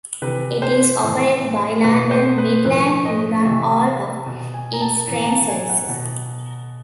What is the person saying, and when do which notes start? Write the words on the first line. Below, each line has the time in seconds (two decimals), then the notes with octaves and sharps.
It is operated by London Midland, who run all of its train services.
0.22 C3 E3 B4
0.62 C5
1.04 A2 E3
1.84 B2 B4
2.11 C5
2.38 B4
2.65 A2 F3 B4
3.05 D#5
3.45 C3 E3 E5
4.26 B2
4.54 G#5
4.73 A#5
4.81 A5
5.07 A2 E3 A#5
5.22 A#5
5.29 A5
5.49 G#5
5.69 F#5
5.89 B2